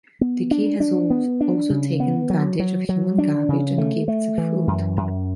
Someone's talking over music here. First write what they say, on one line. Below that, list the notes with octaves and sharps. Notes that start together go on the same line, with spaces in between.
The kea has also taken advantage of human garbage and "gifts" of food.
B3
D4
D4
B3
D4
C#3
B3
F#3
F#3
F#3
D4
C#3
A3
A3
E3
F#2
F#2